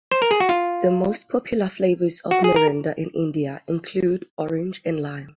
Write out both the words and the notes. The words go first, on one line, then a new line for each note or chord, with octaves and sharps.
The most popular flavours of Mirinda in India include orange and lime.
C5
A#4
G#4
F#4
F4
F#4
G#4
A#4